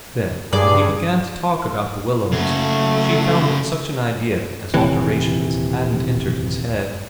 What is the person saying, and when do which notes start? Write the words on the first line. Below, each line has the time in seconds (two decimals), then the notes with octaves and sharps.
Then, when he began to talk about The Willows, she found that such an idea as alterations hadn't entered his head.
0.53 G2 G#4 D5
2.32 C#3 A3 F#4
4.74 D#1 C3 E3